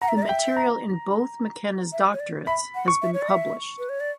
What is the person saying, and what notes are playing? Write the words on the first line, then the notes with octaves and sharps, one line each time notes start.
The material in both McKenna's doctorates has been published.
F#5 A#5
E5
D5
E5
G5
A#5
E5
C#5
D5
E5 B5
F#5
C#6
E5
C#5
D5
E5
B4
C#5
D5